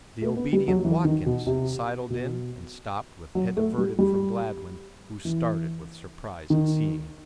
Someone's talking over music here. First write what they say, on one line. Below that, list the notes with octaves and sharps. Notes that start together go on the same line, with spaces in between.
The obedient Watkins sidled in and stopped with head averted from Gladwin, who started with surprise at seeing him.
A3
B3
G3
F#3
F#3
E3
D#3
B2
C3
B2
F#3
A3
G3
G3
E3
D#3